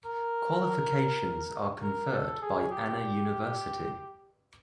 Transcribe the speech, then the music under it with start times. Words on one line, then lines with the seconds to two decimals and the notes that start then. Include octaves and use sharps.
Qualifications are conferred by Anna University.
0.05 A#4
1.82 A#4
2.12 A4
2.42 G#4
2.71 G4